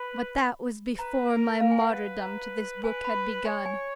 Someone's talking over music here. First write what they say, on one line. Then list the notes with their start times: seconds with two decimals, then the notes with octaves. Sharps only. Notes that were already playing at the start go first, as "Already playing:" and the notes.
But that was before my martyrdom to this book had begun.
Already playing: B4 B5
0.98 B4 A#5
1.29 A#4
1.60 A#4 F5
1.72 G#5
1.81 F#5
1.91 B4
2.22 A#5
2.83 B4 G#5
3.04 B5
3.45 C#5 G#5
3.66 G#5